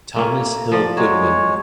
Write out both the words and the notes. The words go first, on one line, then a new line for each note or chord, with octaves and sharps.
Thomas Hill Goodwin.
A3 A#3 C#4
F3 D5
F#3 G#3 C#5